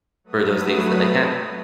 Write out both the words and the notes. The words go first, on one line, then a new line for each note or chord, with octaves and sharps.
for those days that I can.
F#3 A3 B4 D#6